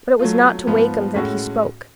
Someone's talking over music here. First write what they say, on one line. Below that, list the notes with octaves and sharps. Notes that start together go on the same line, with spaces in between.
But it was not to Wakem that he spoke.
F#3 A3 F4
G#2 F3 B3
A2 G#3 C#4 F#4 A4